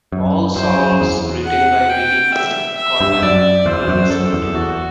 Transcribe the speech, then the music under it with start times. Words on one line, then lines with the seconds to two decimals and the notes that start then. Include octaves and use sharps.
All songs written by Billy Corgan unless noted.
0.12 F#2
0.56 F#2 C5
0.79 F#2
1.01 E2
1.45 F#5
1.90 G5
2.34 E5
2.78 E5
3.01 G2
3.22 F#2 D5
3.66 E2 C5
3.88 F#2
4.10 F#2 A4
4.33 E2
4.54 E2 F#4